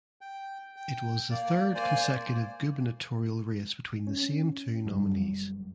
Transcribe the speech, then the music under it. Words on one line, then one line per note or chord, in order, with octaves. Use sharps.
It was the third consecutive gubernatorial race between the same two nominees.
G5
G5
A#3 D5
A#3 C5 D5 G#5
C#4
F#1 F#3 G3